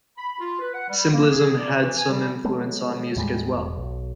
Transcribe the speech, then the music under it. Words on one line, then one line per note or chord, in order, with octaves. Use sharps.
Symbolism had some influence on music as well.
B5
F4
B4
F#5
G3
A#3
G#4
D5
E3
G#5
G3
F#3 G#3 A3 B3
D#2 A2 G3 G#3
E1
B1